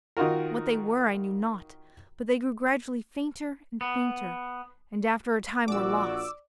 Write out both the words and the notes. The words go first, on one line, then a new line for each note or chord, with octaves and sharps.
What they were I knew not, but they grew gradually fainter and fainter, and after a time were lost.
D#3 D#4 F4 F#4 A#4
B3
A#1 A#2 F#4 D5 D6 E6